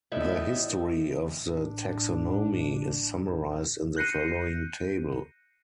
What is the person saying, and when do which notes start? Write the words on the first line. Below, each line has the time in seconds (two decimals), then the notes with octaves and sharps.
The history of the taxonomy is summarised in the following table.
0.12 E2 A2 D#4 A4 E5
1.37 A1 D4
3.97 F#6 G6 A#6 C7 C#7 D#7